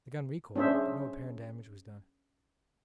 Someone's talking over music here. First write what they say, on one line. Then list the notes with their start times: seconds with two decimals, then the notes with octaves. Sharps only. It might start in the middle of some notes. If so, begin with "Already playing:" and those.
The gun recoiled, but no apparent damage was done.
0.56 C#4 D4 G#4 C5 E5